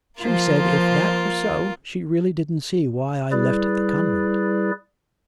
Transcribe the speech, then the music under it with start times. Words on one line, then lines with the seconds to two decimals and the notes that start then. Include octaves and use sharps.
She said if that were so, she really didn't see why I left the convent.'
0.21 F3 A#3 F4 C5
3.32 G3 E4 G#4 B4 D5